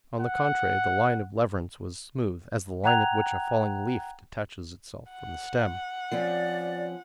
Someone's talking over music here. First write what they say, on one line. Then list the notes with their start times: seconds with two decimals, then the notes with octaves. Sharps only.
On the contrary, the line of leverance was smooth as the line at which a falling leaf detaches itself from the stem...
0.20 F#5
2.84 F#5 G5 A#5 F#6 G#6 F7
5.11 F#5
6.11 F3 C4 C#4 D5